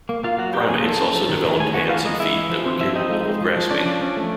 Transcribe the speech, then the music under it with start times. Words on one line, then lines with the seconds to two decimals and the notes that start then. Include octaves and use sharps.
Primates also developed hands and feet that were capable of grasping.
0.09 A#3
0.24 A#3 F4 F5
0.38 F#3 F#4 F#5
0.54 A#3 G4 G5
0.69 F3 G#4 G#5
0.84 A#3 A4 A5
1.00 C#4
1.15 F3
1.29 D#3
1.45 D#3
1.60 A3 G#4 G#5
1.74 D#3 F#4 F#5
1.89 E3 F4 F5
2.05 G#3 D#4 D#5
2.20 G#3 E4 E5
2.35 E3
2.50 F3
2.66 C4
2.80 F3 E4 E5
2.95 C4 D#4 D#5
3.10 G#3
3.26 G#3
3.41 F3
3.56 F3
3.71 C#4 D4 D5
3.86 F3 D4 D5
4.01 C#4
4.17 A3